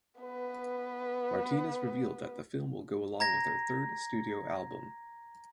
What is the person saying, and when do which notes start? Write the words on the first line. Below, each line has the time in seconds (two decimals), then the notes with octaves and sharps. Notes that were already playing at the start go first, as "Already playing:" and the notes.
Martinez revealed that the film will go along with her third studio album.
0.20 B3 B4
3.20 A#5 G#6 A#6